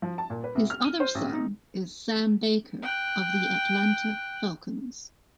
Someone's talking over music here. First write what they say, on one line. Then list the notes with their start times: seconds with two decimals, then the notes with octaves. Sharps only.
His other son is Sam Baker of the Atlanta Falcons.
0.02 F3
0.18 A5
0.30 A#2
0.44 B4
0.55 C2
0.70 F6
0.84 D#7
1.00 C5
1.15 A1
1.33 D#4
2.83 G5 F#6